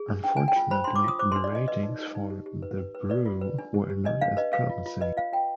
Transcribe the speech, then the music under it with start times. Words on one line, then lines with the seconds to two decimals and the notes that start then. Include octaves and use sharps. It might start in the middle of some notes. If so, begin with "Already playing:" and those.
Unfortunately, the ratings for "The Brew" were not as promising.
Already playing: G#4
0.08 D4
0.24 D4 G5
0.37 G#5
0.40 D4
0.48 G5
0.56 F4
0.71 C5 B5
0.84 D4 C6
0.96 D6
1.04 F4 D#6
1.19 C5 D6
1.32 C6
1.36 D4
1.44 D5
1.52 D4 D#5
1.68 B4 D#5
1.83 D#4
1.99 D#4
2.15 D#4
2.30 G4
2.46 G4
2.62 B4
2.78 B4
2.95 B4
3.10 B4 D5
3.26 F4
3.41 B4
3.59 D4
3.74 G4
3.90 G4
4.05 D4 D#5
4.21 D4 F5
4.37 B4 D#5
4.53 B4 F5
4.69 F4
4.86 F4
5.01 B4 D#5
5.17 F4 F5
5.33 F4 G5